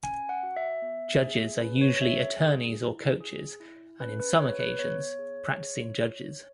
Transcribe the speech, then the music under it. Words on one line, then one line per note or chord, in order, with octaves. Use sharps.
Judges are usually attorneys or coaches, and in some occasions, practicing judges.
C#4 G#5
F#5
F#4
E5
B3
G#4
C#4 B4
C#5
C#5
G#4 E5
G#4
E4
G#4
E4
C#4 B4
B4
G#4 C#5
B4
B3 C#5
G#4